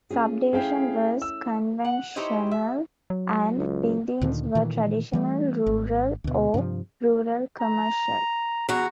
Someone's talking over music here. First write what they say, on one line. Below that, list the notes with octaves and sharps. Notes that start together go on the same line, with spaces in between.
Subdivision was conventional and buildings were traditional rural or rural commercial.
C#4 F4 G#4
A3 C#4 E4 G#4 F5 G5
E6
F#5
D#4 E4 G4 C5 C#5 D#5
E5
F#3
C#2
D2 A#2 D3 D#3
A#2 D#3 E3
E3 G3 A3
G#1
D2 B2
G2 C3 E3 F3
A#5
E2 F#4 A#5